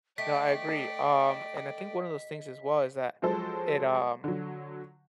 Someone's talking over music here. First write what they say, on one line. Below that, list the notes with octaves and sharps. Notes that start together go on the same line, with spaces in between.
No, I agree, um, and I think one of those things as well is that it um,
A3 D5 D#5 G5 B6
F3 F#3 G#3 A4 C5
D3 F#3